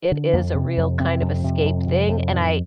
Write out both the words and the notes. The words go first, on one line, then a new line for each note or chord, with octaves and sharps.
it is a real kind of escape thing and I
D3
F2 A#3
C3
F2
C3 C4
F2
C3
F2
C3
F2
A2 D#3